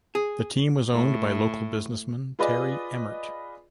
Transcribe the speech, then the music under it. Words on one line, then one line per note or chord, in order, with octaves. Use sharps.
The team was owned by local businessman Terry Emmert.
G#4
A2
F4 G#4 B4 D5 D#5